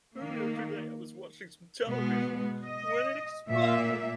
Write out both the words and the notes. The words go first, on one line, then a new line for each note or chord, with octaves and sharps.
Earlier today I was watching some television when it exploded!
D#3 A#3
B2 G#3 B3
D#5
A#2 A#3 E5